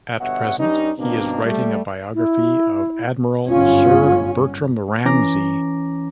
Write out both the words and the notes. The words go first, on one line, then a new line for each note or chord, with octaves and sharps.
At present, he is writing a biography of Admiral Sir Bertram Ramsay.
G1 B2 C#5 E5 F#5
G2 G3 C#4 D#4
B2 D#3 A#3 C4 D4
G3 A3
E4
G1 G#2 C#4 F4
E3 C#4 A#5 D6 A#6